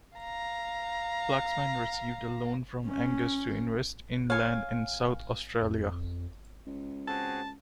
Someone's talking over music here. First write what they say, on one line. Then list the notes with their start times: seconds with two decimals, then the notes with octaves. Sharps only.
Flaxman received a loan from Angas to invest in land in South Australia.
0.18 F5 A#5
2.86 C#4
4.30 C#5 F5 G#5
5.62 F2
6.66 C#2
7.08 C4 F#4 G#4 A5